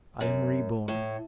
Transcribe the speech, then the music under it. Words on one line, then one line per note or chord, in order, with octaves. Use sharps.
I am reborn.
F#2
A2